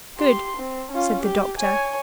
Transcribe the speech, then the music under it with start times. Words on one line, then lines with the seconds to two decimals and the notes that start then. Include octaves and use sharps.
"Good," said the doctor.
0.18 G4 C6
0.57 C4
0.92 C#4 F4
1.22 G4
1.59 C#5 G#5